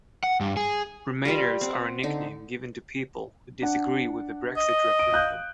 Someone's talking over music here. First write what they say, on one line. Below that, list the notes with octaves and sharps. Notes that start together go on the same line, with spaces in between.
Remainers are a nickname given to people who disagree with the Brexit referendum.
F#5
G2
G#4
G3 F4 G4 D5
C4 F#5
D3 D#4
D4 F#5
D#5
D7
F5 F#6 G6